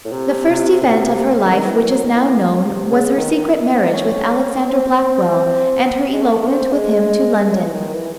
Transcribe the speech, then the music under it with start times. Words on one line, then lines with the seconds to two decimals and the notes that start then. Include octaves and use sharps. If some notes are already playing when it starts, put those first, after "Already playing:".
The first event of her life which is now known, was her secret marriage with Alexander Blackwell, and her elopement with him to London.
0.05 A2
0.12 C3
0.50 C3
0.82 A2
0.88 C3
1.07 C3
1.39 C#3
1.45 D#3
1.58 D#3
1.64 E3
1.89 F#3
2.04 D#3
2.15 E3
2.66 C3
2.91 C#3
3.17 D#3
3.31 E3
3.36 D#3
3.74 C4
3.84 D#4
3.93 C#4
4.70 C4
6.13 G#3
6.22 A3
6.42 A3
6.47 C4
6.72 G#3
7.53 F#3
7.64 E3
7.74 D#3
7.94 E3